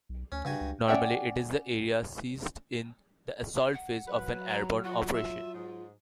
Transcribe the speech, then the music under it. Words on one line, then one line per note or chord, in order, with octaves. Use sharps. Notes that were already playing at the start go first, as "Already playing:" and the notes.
Normally it is the area seized in the assault phase of an airborne operation.
B1
D2 C#4
G2 C#3 F#4 G#5
C#2
C#4 D5 E5 F#5 G5
F#5
F#3 B4
A#5
F4 F#4
E5
G#2